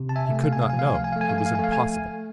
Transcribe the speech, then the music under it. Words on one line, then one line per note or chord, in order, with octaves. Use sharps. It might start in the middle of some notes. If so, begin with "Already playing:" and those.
He could not know. It was impossible.
Already playing: C3
A5
E5 G#5
A3
F5
G#5
F5
F3 G#5
F5
G#5
F5
G#5
F5
A3
G#5
F5
G#5
F5
G#5
A3 F5
G#5